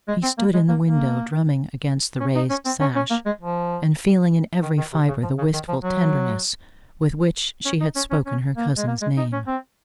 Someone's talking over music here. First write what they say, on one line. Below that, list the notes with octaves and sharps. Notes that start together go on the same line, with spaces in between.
He stood in the window, drumming against the raised sash, and feeling in every fibre the wistful tenderness with which she had spoken her cousin's name.
G#3
C4
A#3
G#3
A#3
A#3
C#4
D#4
C#4
C4
C#4
C#4
A#3
G#3
F3
D#3
D#3
C3
C#3
F3
C#3
D#3
F3
F#3
C#4
D#4
C#4
C#4
C#4
A#3
G#3
A#3
G#3
D#4
C#4
C4